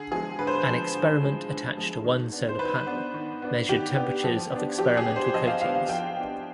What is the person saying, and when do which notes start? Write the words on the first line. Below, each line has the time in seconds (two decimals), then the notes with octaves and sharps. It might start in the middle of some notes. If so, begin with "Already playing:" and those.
An experiment attached to one solar panel measured temperatures of experimental coatings.
Already playing: D3 G#4
0.11 F3 G#3 G#4
0.39 D3 B4
0.47 C5
0.56 B4
0.67 F3 G#3
0.94 D3
1.22 F3 G#3
1.49 D3
1.77 F3 G#3
2.04 D#3
2.32 B3 D4
2.49 C5
2.59 D#3 B4
2.86 B3 D4
3.14 D#3
3.42 B3 D4
3.69 D#3 G4
3.96 B3 D4
4.24 F3
4.52 B3 D4
4.78 F3 G4
4.97 G#4
5.07 B3 D4
5.16 C5
5.34 F3 D#5
5.47 F5
5.62 B3 D4 F5
5.75 F5
5.89 F3 G5
6.16 B3 D4